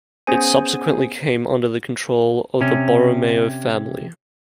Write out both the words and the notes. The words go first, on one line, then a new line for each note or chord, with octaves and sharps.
It subsequently came under the control of the Borromeo family.
B3 C#4 G#4 C5 G#5
C3 C#4